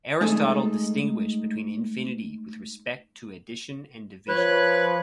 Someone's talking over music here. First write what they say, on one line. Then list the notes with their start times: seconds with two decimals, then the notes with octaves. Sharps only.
Aristotle distinguished between infinity with respect to addition and division.
0.21 G#3 A3 D#4 G#4 A4
4.28 F3 B4 C#5 F#6